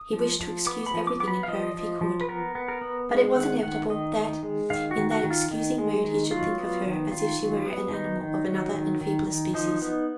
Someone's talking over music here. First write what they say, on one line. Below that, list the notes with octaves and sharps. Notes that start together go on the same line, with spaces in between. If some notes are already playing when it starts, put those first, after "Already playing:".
He wished to excuse everything in her if he could--but it was inevitable that in that excusing mood he should think of her as if she were an animal of another and feebler species.
Already playing: D#6
F3
F3
B3 D6
B5
F3
D6
B3 D6
B5
F5
F3 D#5
F3
F3
B4
B3 A#4
B3
A#4
B3
G#3
D#3 F#5
D#3 F#5
D#3 D#5
D#3
G#3
D#3 F5
F#4
D#3
F#4
D#3
F4
D#3
G#3
D#3
F#3 F4
B3
D#3
D#3 F4
F#3
B3
D#3 D#4
D#3
F#3
D#3
D#3
D#3
F3 D#4
B3